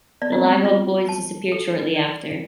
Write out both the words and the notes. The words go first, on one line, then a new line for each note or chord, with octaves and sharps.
The Live Oak Boys disappeared shortly after.
B3 D5
C4
G#3 B3
F4
A5
A4
D5